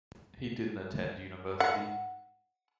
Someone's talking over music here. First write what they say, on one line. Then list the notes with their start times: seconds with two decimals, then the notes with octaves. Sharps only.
He didn't attend university.
1.60 F#5